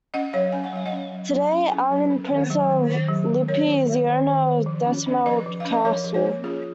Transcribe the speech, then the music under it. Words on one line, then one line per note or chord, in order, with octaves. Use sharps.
Today, Armin, Prince of Lippe is the owner of Detmold Castle.
C#4 D#5 F#5
F#3 C#5 F5
C#4 G#5
F#5
F#3 F5
D#5 F#5
C#4
F#3
F#3
C#4
C#4
F#3
C#4
D#3
F#3
D#3
D#3
F#3
D#3
F#3 A#4 C#5
D#3
D#3
D#3
D#3
D#3
F3
C#4
C#4
F3 B4 D#5
F3
C#4 F5
D#5
F3 A#4 C#5
F3
A#4 C#5
A#3
C#4 F4 G#4